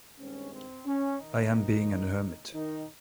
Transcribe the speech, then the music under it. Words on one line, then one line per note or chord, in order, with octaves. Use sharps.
I am being an hermit.
G2 D#3 G#3 C4 C#4
C4
C#4
D#3 D#4
G#2 F3 A#3
D#3 D#4